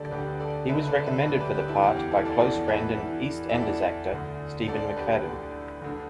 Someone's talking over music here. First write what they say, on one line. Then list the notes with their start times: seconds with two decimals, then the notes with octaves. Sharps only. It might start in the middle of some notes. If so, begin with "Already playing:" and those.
He was recommended for the part by close friend and "EastEnders" actor Steve McFadden.
Already playing: D2 D3 G4 A4 D5
0.11 D2 D3 G4 B4
0.40 A4 D5
0.69 D2 D3 B4 E5
0.88 A4 D5
1.06 B4 E5
1.25 D2 D3 A4 D5
1.40 G4 B4
1.54 G4
1.68 E4 A4
1.82 E2 E3 G4
1.96 G4
2.11 E4 A4
2.25 A4 D5
2.40 E2 E3 A4 D5
2.68 B4 E5
2.97 E2 E3
3.49 E5
3.54 E2 E3 A4 D5
4.11 D2 D3
4.68 D2 D3 A4 D5
4.97 G4 B4
5.25 D2 D3
5.82 D2 D3